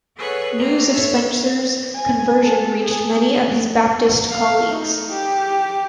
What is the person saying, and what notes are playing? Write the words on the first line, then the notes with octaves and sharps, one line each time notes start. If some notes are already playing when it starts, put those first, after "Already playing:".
News of Spencer's conversion reached many of his Baptist colleagues.
G#4 A4 B4 C#5 F#5 G#5
A3 A#3 C4 A#5
A4 C#5 E5
G#5
A4
G#4
F5
D#4
G4